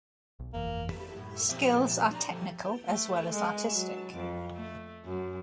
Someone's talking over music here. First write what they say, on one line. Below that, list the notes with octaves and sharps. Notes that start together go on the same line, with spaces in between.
Skills are technical as well as artistic.
B1
G1 F2 E3 A#3
F#2 A2
A#2 F3 C4 G4 C5 E5
D4 D5 A#5
F3 G4 A4
A3
G#3
F#3
F2
A3
F#2